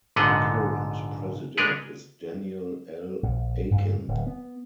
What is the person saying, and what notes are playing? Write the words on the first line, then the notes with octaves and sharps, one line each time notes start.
The current president is Daniel L. Akin.
A#1 G#2 D3 B3 D#5 F#5
G#3 D4 A#4 B4 C#5
A#1
G2
D1
B3